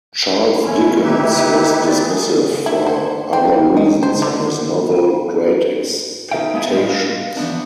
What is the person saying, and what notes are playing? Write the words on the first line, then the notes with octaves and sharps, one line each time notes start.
Charles Dickens was dismissive for other reasons in his novel "Great Expectations".
A#3
G#3 C#4 E4
D#4 E4 G4 B4 E5
A3 C4 D5
G#4
E4
C5
C4
D#5
C5
D3
D#4 A4 E5 F5 G5
G#3 B3 E4 G#5
A2 G3 F4 D#5
F5
E3 F3 B3 D4